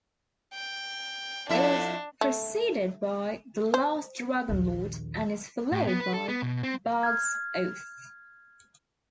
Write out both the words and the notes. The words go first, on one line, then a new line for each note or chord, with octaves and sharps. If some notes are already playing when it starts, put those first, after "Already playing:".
It was preceded by "The Last Dragonlord", and is followed by "Bard's Oath".
G5
F2 D4 E4 E5
A3
C5
A#1 D#2
A2
B3
B4
A4
B3
B2
C4
F6 G#6